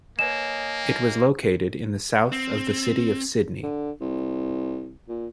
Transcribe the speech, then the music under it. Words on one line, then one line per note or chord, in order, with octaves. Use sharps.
It was located in the south of the city of Sydney.
A#3 B4 C#5 D#5 G#5 E7
C4
D3
C2
A#2